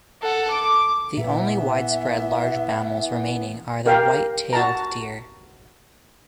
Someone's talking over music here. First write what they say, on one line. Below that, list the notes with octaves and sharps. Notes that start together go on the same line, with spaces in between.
The only widespread large mammals remaining are white-tailed deer.
A4 F#5
D6
A#2 E3 B3 E5
G4 A#4 F5 G5
F#4 A5 A#5